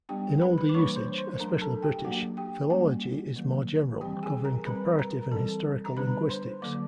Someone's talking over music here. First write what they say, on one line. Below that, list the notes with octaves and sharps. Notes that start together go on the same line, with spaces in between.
In older usage, especially British, philology is more general, covering comparative and historical linguistics.
G3 B3 D4 G4 G5
B4 B5
B4 B5
D6
E3 G3 A#3 D4 C#5 C#6
C5 C6
C5 C6
F#3 A3 D4 A#4 A#5
A4 A5
G4 G5
F#3 A#3 D4 F#4 F#5
G4 G5
G3 A#3 C#4 F#4 F#5
D#3 F#3 A#3
E3 G3 C4 G4 G5
G#4 G#5
A#4 A#5
G3 C4 B4 B5
A#4 A#5
E3 G3 C4 A4 A5
A#5
D3 G3 B3 D4 B4 B5
C5 C6
D3 F#3 A#3 D5 D6